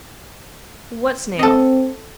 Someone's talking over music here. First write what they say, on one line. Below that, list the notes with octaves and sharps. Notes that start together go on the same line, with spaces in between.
"What snail?"
C4 A4 D#5